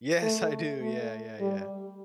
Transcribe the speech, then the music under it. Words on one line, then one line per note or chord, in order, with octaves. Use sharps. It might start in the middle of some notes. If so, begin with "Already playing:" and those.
Yes, I do, yeah, yeah, yeah.
A3
A3
G3